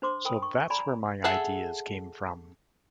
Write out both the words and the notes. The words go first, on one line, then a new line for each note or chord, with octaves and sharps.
So that's where my ideas came from.
D4 C5 C6 D6
A#4 G5 G#5 B5 D#6
C#6
D5 G#5 A#5 B5
G#4 A4 E5 F#5 A5